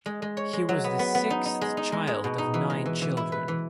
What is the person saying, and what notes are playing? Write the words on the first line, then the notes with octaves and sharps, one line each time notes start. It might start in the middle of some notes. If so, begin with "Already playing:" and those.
He was the sixth child of nine children.
G#3
G#3
C#5
G#3
F#3
B3
B3
B3
D#4
D#4
G#3
D#4
G#3
G#3
B2
D#4
E3
G#3
E3
E3
E4
B4
E3